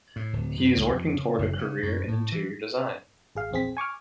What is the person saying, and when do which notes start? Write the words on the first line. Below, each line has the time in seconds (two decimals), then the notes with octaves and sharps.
He is working toward a career in interior design.
0.16 A2
0.33 D1
0.57 F#2
0.76 C#2
0.89 F2
1.15 C#3
1.39 F#1
1.59 C#3
1.83 F#2
2.08 A2
2.32 E3
3.35 G#1 G#4 F5
3.51 A#1 E2 C4 G#4 B6
3.77 G#5 C#6 D6 F6